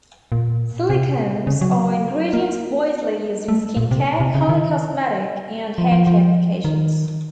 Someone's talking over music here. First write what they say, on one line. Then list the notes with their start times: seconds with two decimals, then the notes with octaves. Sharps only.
Silicones are ingredients widely used in skin care, color cosmetic and hair care applications.
0.32 A#2
0.90 C3
1.47 C#3
1.61 F#3
2.33 A#3
3.48 A3
3.77 A#2
3.91 C3
4.20 C3
4.35 C#3
4.49 D#3
5.78 F3
5.92 F3
6.07 F3
6.65 D#3